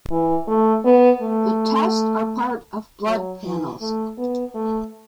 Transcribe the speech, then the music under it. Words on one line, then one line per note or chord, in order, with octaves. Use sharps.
The tests are part of blood panels.
E3
A3
B3
A3
F#3
E3
A3
B3
A3